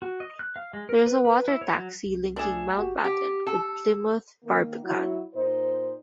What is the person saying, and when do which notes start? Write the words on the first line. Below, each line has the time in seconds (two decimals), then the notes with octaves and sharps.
There is a water-taxi linking Mountbatten with Plymouth Barbican.
0.02 F#4
0.20 D#5
0.39 F#6
0.56 F5
0.73 G#3
0.89 A#4
1.06 B4
1.25 B4
1.48 E4
1.61 C#5
1.75 F#3
2.06 C2
2.36 A3 D4 G#4 A4 E7
2.75 G1 F#4 G4
3.04 G4
3.47 A4
4.43 D#3 A#3
4.82 F#3 E4
5.33 A#2 D#4 C5